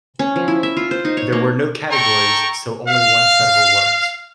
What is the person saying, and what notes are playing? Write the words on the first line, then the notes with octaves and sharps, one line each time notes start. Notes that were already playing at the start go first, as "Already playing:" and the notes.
There were no categories, so only one set of awards.
C#4
F3
E4
E5
F4
C5
D#4
C#5
A#3
A4 G5 A#5 C#6
F5